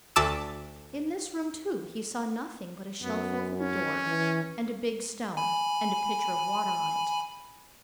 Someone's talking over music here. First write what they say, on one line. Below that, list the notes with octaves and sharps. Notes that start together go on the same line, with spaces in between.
In this room, too, he saw nothing but a shelf over the door, and a big stone, and a pitcher of water on it.
D2 A5 D6 E6
F#2 B3
C#4
E3
G#5 B5